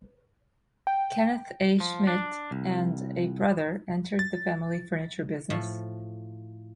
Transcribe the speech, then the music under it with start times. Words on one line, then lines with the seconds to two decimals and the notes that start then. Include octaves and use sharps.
Kenneth A. Schmied and a brother entered the family furniture business.
0.87 G5
1.80 F3
2.07 D4
2.51 C2
4.19 A6
5.50 A2 F3